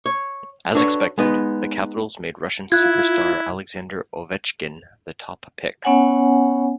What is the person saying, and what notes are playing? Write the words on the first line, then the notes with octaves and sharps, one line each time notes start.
As expected, the Capitals made Russian superstar Alexander Ovechkin, the top pick.
C#5
D4 F#4 A4 B4 C#5
G#3 B3 D#4 B4
E4 F4 F#6 G#6
B3 C#4 C#5 F#5 G#5